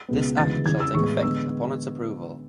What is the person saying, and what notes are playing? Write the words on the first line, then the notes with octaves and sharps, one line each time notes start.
This Act shall take effect upon its approval.
C#2 B2 G#3 B3
D2 C#3 E3 G#3 B3 A6
E2 C#3 E3 G#6
E6
A2 E3 G#3 B3 C#6
D3 G#3 B3 E6